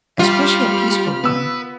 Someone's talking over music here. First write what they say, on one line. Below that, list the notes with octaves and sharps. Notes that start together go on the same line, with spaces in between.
especially a peaceful one
G3 F4 G4 B5 F6
B3 B4 E6